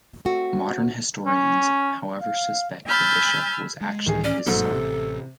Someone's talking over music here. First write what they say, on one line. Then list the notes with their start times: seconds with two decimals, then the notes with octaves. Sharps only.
Modern historians however suspect the bishop was actually his son.
0.25 A3 C4 F#4
1.27 C#4
2.21 F5
2.86 G#5 B5 E6 F6 G6 A6
3.81 G#3
4.06 C#2 A2 D#3 E3 G#4
4.24 C#4 D5
4.46 G1 G#2 B2 F#3 A#3 A4
4.71 A1 C3